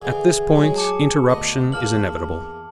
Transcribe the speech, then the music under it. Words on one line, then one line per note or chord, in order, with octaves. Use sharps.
At this point, interruption is inevitable.
D3 E3 G#4
F#3 G#3
A5 D6 C#7
D2 B3 B4 D#5
E2 A#3 A5 F6 F#7